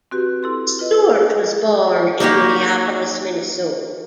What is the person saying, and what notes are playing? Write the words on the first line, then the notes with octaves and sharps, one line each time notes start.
Stewart was born in Minneapolis, Minnesota.
C4 F#4 G4 B4
E4 A4 C6
F4 B4 D#5
A#3 D#4 F#4 G4